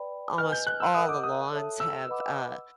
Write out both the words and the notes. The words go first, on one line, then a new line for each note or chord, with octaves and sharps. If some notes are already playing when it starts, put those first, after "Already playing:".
almost all the lawns have, uh,
Already playing: B4 D5 G5 B5
B4 D#5 G#5 F6
G6
F#6
E6
A#4 D#5 F#5 D#6
D6
D#6
A4 C#5 E5 A5
E6
B4 D#5 F#5 B5 D6